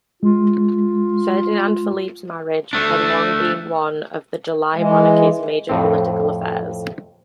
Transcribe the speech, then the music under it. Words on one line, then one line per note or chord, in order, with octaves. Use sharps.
Ferdinand Philippe's marriage had long been one of the July Monarchy's major political affairs.
G#3 F4
A3 D4
E3 G#3
F2 A2 C4